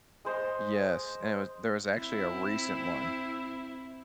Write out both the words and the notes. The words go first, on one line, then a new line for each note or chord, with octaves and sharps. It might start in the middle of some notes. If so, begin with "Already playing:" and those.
Yes, anyways, there was actually a recent one,
G#3 C5 D#5
C4 E4